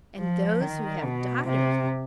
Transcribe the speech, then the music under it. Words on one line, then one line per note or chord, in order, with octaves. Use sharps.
And those who have daughters!
F3
D#3
B2
C3